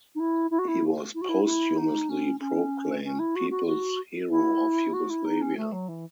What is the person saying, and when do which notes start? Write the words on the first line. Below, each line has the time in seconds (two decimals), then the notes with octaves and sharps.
He was posthumously proclaimed People's Hero of Yugoslavia.
0.15 D#4
0.19 E4
0.51 E4
0.59 F#4
0.68 E4
1.14 E4
1.21 F#4
1.29 E4
1.45 E4
1.77 D#4
2.09 C#4
2.40 C#4
3.04 C#4
3.19 E4
3.36 F#4
3.51 F#4
3.66 F#4
4.31 E4
4.93 F#4
5.10 E4
5.25 D#4
5.41 C#4
5.57 A3
5.72 F#3
5.88 E3